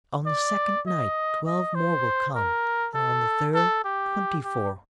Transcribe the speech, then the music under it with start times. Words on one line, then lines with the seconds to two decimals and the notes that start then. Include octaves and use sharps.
On the second night twelve more will come, and on the third twenty-four.
0.26 D5
0.87 D#5
1.46 D#5
1.75 C5
2.35 A#4
2.95 A4
3.54 A4
3.84 G4
4.44 G4